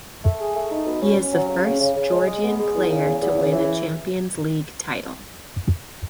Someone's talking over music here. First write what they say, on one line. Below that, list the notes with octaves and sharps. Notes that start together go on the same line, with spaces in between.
He is the first Georgian player to win a Champions League title.
A3
G#4
A3
D#4
B2
C#4
C#4
F#3
C#3
C#3
C#3
C#3
G#3
G#3
B3
G#3
E2
C#3
E2
E2
C#3
E3